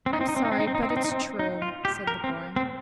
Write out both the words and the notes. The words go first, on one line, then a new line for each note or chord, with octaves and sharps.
"I'm sorry; but it's true," said the boy.
C4
D#4
C4
D#4
C4
D#4
C4
D#4
C4
D#4
C4
D#4
C4
D#4
C4
D#4
F4
G4
A#4
C4
C4